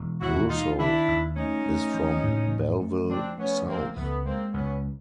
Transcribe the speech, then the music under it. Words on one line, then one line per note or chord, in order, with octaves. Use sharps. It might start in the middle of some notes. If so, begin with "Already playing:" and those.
Rossouw is from Bellville South.
Already playing: E1 E3
D#2 E4 F#4
D#3 D#4 F4
D#3 D4 E4
D#2
A3 C#4 D#4
A3
F3
A2
F3
A3
F3 C4 D4
A3 B3 C#4
F3 A#3 C4
C#2 A3 B3
G#3 A#3 C4
C#2 B3 C#4